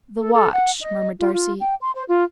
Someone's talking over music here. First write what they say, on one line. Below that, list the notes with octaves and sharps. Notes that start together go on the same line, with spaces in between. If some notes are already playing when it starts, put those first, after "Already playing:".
"The watch," murmured Darcy.
A4
A4
F#5
D#5
F4
F4
G5
C6
C5
F4